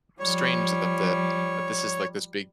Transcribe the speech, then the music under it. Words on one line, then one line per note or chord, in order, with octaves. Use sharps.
strange that the that this is, like, this big,
F3 G3 C#5